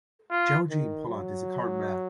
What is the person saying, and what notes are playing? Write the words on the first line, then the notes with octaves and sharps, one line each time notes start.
Gerald Gene Pollard is the current mayor.
F4
D#3
F#3